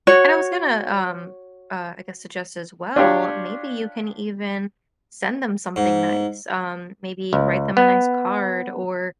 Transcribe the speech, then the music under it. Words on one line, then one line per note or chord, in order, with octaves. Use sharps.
and I was gonna, um, uh, I guess, suggest as well, maybe you can even send them something nice. Um, maybe write them a nice card or
F#4 C#5
D4 F4 G4 C#5
G#2
C#2
B3